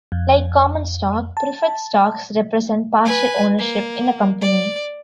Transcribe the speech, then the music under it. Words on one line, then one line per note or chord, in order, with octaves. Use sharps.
Like common stock, preferred stocks represent partial ownership in a company.
F2
A5
B4 G#5
A#3
D5